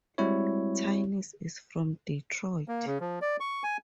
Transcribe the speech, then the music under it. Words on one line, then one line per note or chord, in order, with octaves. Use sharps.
Tynes is from Detroit.
G3 G#3 C4 E4 F#4 C#5
A#3
C#3
F3
D5
C#6
G#5